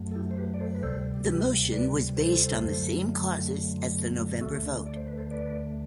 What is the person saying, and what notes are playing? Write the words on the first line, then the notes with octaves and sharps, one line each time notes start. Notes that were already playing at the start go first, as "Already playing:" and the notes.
The motion was based on the same causes as the November vote.
Already playing: F#2 F#3 A3
A4
E4 G4
C5
G4 B4
D5
A4 C5
B4
D2 C3 G3 A4 C5
G4 B4
B4 D5
A4 C5
F#2 D3 F#3 A3
D2 D3 A3 F#4 A4
D5
C5
B4
A4 C5
B4 D5